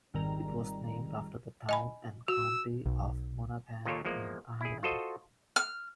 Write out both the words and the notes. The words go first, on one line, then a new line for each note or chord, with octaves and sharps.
It was named after the town and county of Monaghan in Ireland.
G#1 F2 G#2 D#3 G3 A#5
D#5 G#5 B5
F#4 E6
B1
D#2 A#2 D#3 F4 A4 C#5
E2 F3 G#3 A#3
E4 G#4
F4 F#4 A4 C5 D#5
F6